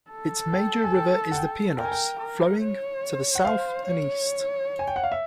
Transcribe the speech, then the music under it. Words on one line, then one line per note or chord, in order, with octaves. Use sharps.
Its major river is the Pineios, flowing to the south and east.
A4
G5
G#5
G5
F#5
G5
A#4 G5
G#5
G5
A#4
C#5
F#5
C5 F5
C#5
G#5
G5
F#5
F5
E5